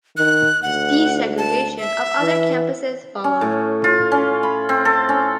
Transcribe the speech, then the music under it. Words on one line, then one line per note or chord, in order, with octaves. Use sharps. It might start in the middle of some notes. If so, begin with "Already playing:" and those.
Desegregation of other campuses followed.
D#3 F#6
D2 F#5
A5
E5
E3
C#4
A2
F4
C#4
B5
C4
A4
C#4